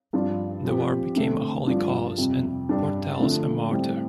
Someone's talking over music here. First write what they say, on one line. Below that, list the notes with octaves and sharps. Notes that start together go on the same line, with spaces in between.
The war became a holy cause, and Portales a martyr.
G2 F3 D4 F4
F3 C4 G4
D3 A3 C4
G2 F3 D4 F4
F2 C3 G3
G2 G3 D4
D3 F3 A3
A2 G3 C4